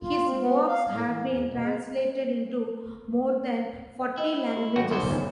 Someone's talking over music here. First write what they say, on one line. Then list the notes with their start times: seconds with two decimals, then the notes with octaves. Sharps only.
His works have been translated into more than forty languages.
0.02 F4
0.26 C4
0.41 B3
0.68 F5
0.91 A2
1.07 E3
1.28 E2
1.49 B2
1.63 G#3
4.01 D5
4.18 E4 D#5 G5
4.57 G4
4.76 A1 F#4
4.91 E2 G2 D#3 C5 B5 C6
5.11 B1